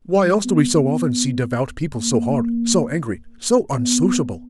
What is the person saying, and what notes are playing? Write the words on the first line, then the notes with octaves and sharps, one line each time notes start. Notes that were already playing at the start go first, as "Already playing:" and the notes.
Why else do we so often see devout people so hard, so angry, so unsociable?
G3
B3
B3
A#3
B3